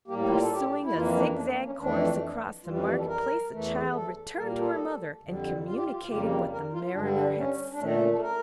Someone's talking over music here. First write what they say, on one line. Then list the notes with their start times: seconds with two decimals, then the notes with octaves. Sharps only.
Pursuing a zigzag course across the marketplace, the child returned to her mother, and communicated what the mariner had said.
0.08 A2 G3 A#3 G4
0.30 F4
0.41 A4
0.52 G4
0.83 E4
0.94 F2 E3 A#3 F4
1.15 D4
1.37 D4
1.51 A#3
1.66 C#4
1.79 F2 E3 A3 D4
2.65 F2 E3 G3 F4
2.76 C#4
2.87 A#3
2.98 A4
3.08 A#4
3.51 E2 E3 A3
3.94 A4
4.36 A#2 G3 A#3 A#4
4.58 A4
5.23 F2 D3 G3
5.65 F4
5.75 G4
5.84 F4
6.01 F4
6.08 F2 C#3 G3 A#3 G4
6.51 A#4
6.73 F4
6.93 G2 D3 G3 D4
7.16 D4
7.37 C#4
7.73 D4
7.79 A#2 A3 C#4
7.90 A#3
8.01 C#4
8.12 A4
8.22 A#4